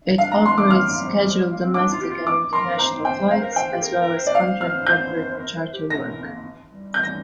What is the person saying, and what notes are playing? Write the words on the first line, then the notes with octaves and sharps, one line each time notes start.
It operates scheduled domestic and international flights, as well as contract corporate charter work.
D4 F5
A#5
C6
D6
A#3 F6
G3
F3
G3
F3
G3
A#3
C4
D4 D6
F4
G4
F4
D6
A#4 C6
C5 A#5
C5 G5
C5 F5
A#4
C5 G5
G4
A#4
A#4
C5
D5
F5
F6
G6
C5
A#4
C5
G4
A#4 A#6
A#4
A#3
G3
G6
A#6